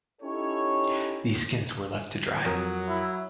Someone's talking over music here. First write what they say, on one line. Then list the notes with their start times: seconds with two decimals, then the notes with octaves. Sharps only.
These skins were left to dry.
0.22 C#4 D#4 E4 G4 A4 C#5
2.46 F2 F#3 A#4 D#6
2.88 E4